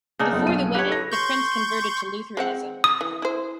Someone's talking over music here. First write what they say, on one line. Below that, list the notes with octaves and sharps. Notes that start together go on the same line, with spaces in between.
Before the wedding, the Prince converted to Lutheranism.
C#3 D4 D#4
F#1 F2 B3
B1 D#7
G4 B4 C#5
A4 A#6
C6 C#6 G6
G#3 C4 F#5
D#6
E3
E4 C5